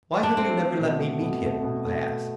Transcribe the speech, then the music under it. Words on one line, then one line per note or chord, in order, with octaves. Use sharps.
"Why have you never let me meet him?" I asked.
D4
A3 C4
A3
B2
A3
B2
A3
B2
A3